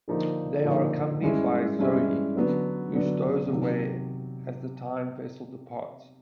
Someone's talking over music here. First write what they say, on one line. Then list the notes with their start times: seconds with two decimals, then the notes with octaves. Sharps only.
They are accompanied by Zoe, who stows away as the time vessel departs.
0.08 D3 F3 A#3 D#4
0.64 D3 F3 A#3 D#4
1.21 G2 E3 G#3 C#4 E4
1.79 G2 E3 G#3 C#4 E4
2.36 D3 F#3 B3 D4
2.93 D3 F#3 B3 D4
3.50 C3 D#3 F#3